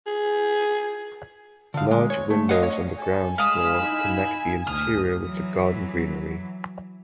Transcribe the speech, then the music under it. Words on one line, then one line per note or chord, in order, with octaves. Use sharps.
Large windows on the ground floor connect the interior with the garden greenery.
G#4
D3 F5
G#3
C#5
A3
C#5 D#5 F5 F#5
C#5
A4 G#5
G#3 F5 B5 D#6 E7
D#4 E4
D2 D#6 F6
E3 F#3